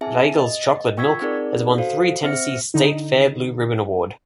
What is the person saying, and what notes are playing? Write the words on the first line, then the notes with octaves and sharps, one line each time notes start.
Weigel's chocolate milk has won three Tennessee State Fair Blue Ribbon award.
C4 E4 G#4 E5 G#5 A5
D#5
F4 G5 C#6 E6 G#6 B6
C4 D#4 G#4 A#4 D5
F#4 A4 C5 F5
C4 C5 E5 F6 A#6 C#7
D3 D#4